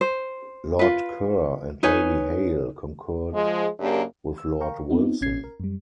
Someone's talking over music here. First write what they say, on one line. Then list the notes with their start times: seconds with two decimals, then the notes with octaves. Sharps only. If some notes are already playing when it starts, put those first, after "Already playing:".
Lord Kerr and Lady Hale concurred with Lord Wilson.
0.01 C5
0.79 F4 B4
1.83 D#4 B4 C#5 G#5
3.33 F3 G#3
3.80 F#2 C#3 A#3 D4 G4
4.38 E6
4.60 A#4 F5 G5 A#5 C#6
4.90 B3 C4 D#4 F4
5.21 A1 C#4 G#6 C7
5.44 A#4
5.60 F#2 G3